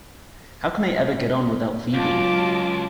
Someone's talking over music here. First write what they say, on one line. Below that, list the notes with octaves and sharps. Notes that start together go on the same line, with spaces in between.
How can I ever get on without Phebe?
C#2 F#3 F4 A5 D6